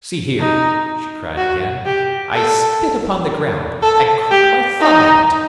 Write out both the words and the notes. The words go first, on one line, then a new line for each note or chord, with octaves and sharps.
See here!" she cried again--"I spit upon the ground, and crack my thumb at it!
D#4
F#4
G4
A4
A4
G4
D#4